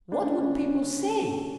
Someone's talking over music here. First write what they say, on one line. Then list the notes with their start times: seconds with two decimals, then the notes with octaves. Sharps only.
What would people say?
0.12 D4
0.22 C#4
0.27 D4
0.41 C#4
0.56 D4